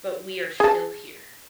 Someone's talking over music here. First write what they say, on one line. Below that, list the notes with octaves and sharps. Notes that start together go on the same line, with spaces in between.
But we are still here.
G#4 A5